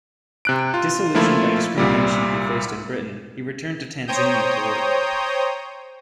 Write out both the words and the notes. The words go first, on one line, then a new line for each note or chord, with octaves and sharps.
Disillusioned by discrimination he faced in Britain, he returned to Tanzania to work.
C3 F#6 D7
F4
F3 A3 A#3 E4 F4 B5
C2 A#2 G3
C5 C#5 G5 A#5 D#6 G6